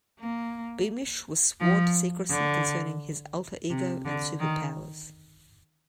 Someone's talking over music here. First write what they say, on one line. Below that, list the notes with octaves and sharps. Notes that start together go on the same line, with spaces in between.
Beamish was sworn to secrecy concerning his alter-ego and super-powers.
A#3
F3
D3
C3
D3
D#3